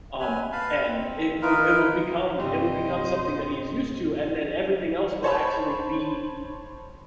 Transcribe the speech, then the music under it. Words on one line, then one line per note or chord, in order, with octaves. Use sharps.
um, and it will it will become it will become something that he is used to, and then everything else will actually be,
F#3 C#4 B4 G#5
B4 F5 A5 B5
C4
D#4 F4 A#4 B4
G2 C3 G3 C4 C5 D#5
C5 C#5 A5 B5